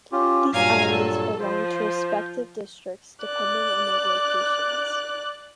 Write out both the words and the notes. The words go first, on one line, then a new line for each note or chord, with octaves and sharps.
These islands belong to respective districts depending on their locations.
C#4 F4 G4
G2 A#2 F#3 F5 G#5 A#5
A4
F3 C5
D5 F#6